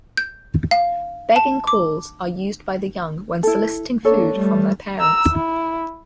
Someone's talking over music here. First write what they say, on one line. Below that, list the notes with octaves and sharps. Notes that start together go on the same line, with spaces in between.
Begging calls are used by the young when soliciting food from their parents.
G6
F5
A5
D6
E4 A4
A#3 D4 A4 C#5
G3 A3
A#5 E6
E4